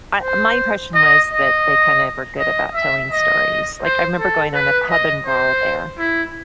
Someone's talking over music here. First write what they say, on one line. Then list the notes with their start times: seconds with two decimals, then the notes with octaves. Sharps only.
uh, my impression was that they kinda were good about telling stories. Like, I remember going on the pub and brawl there,
0.22 C5
0.94 D#5
1.30 D#5
2.38 D#5
2.74 E5
3.11 D#5
3.82 C5
4.19 A4
4.54 B4
4.90 D#5
5.26 C5
5.98 E4